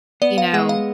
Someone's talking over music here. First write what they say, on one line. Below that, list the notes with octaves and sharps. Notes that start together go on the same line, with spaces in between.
you know,
B3 D5
F5
G#3 F#5
F5